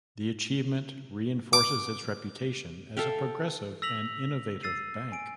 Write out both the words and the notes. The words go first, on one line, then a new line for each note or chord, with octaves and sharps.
The achievement reinforces its reputation as a Progressive and Innovative bank.
D6
A4 E5 F5 G5
E6 A#6 B6 F7 F#7
E6 A6 C7 D#7
G#5 D7